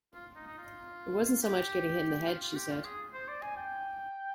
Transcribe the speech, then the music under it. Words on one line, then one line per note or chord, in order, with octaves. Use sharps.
"It wasn't so much getting hit in the head," she said.
F4
D#4
D#4
F4
G4
F4
F4
G4
F4
G#4
C5
D5
G#5
G5